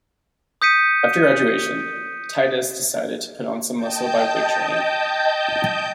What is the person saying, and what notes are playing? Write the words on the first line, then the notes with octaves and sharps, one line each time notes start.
After graduation Titus decided to put on some muscle by weight training.
D#6 G6 B6 C#7 D#7
D#5 G5 A5 G6